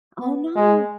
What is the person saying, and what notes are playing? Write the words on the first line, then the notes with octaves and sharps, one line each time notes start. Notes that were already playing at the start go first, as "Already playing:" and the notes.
Oh no!
B3
G#3